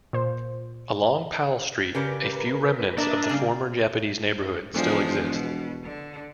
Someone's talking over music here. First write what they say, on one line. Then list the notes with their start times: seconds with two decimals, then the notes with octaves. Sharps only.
Along Powell Street, a few remnants of the former Japanese neighbourhood still exist.
0.13 A#2 C5
1.95 C#3 G4 A#4 B4 D5
2.98 A#3 D4 A#4 B4 D#5 E5
3.29 C#3 G3 A#3
4.74 E1 D3 F3 G#3
5.30 B2
5.84 D3